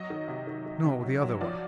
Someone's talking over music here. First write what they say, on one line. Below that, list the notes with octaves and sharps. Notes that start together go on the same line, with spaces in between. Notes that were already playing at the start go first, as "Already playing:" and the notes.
"No, the other one."
Already playing: F#3 D#5
D#3
C3
D#3
D#3
C3
F#3
F#3
F3 D5